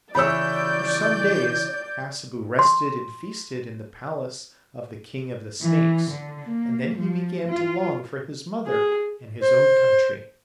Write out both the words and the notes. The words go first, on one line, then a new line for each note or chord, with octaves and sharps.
For some days Hassebu rested and feasted in the palace of the King of the Snakes, and then he began to long for his mother and his own country.
C#3 E3 C#5 D5 B5 E6 G6
C6
E3
D3
A#3
F3
F4
G#4
C5